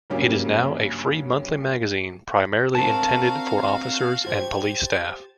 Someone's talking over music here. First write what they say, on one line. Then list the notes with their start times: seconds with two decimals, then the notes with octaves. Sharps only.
It is now a free monthly magazine primarily intended for officers and police staff.
0.10 G2 C#3 F#3 A#3 C#4 G4
2.75 C4 D4 F#4 A#4 F5 A5
4.24 G4 C5 F#5 G#6